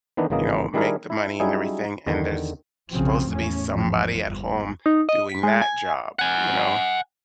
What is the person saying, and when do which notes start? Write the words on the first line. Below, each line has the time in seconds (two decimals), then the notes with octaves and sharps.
you know, make the money and everything, and there's supposed to be somebody at home doing that job, you know,
0.17 D#3 E3 B3 D4 D#4
0.30 G#1 C#3 E3 A#3 D#5 A#5
0.74 D#3 G3 D4 E4 G#4 A#4
1.10 E4
1.40 F#3 G3 C#4 D#4 E4 G#4
2.07 E2 D3 D#3
2.91 F1 B1 C#3 F3 F#3 C4
3.28 E2 A2 C#4
3.70 G#1 E2 F3
4.24 G1
4.86 D#4
5.09 D#5
5.29 B6
5.43 G#3
5.62 G#5
6.19 F#5 G#5